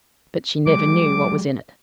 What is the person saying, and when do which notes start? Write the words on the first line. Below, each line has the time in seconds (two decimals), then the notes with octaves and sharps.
But she never knew what was in it.
0.67 F#3 G#3 D6